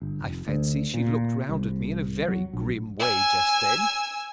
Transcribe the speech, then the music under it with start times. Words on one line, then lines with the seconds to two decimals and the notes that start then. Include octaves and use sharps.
I fancy she looked round at me in a very grim way just then.
0.02 G1
0.24 F1
0.48 D2
0.94 A#2
1.49 C2
2.28 F#3
2.53 A#1
3.00 G#5 E6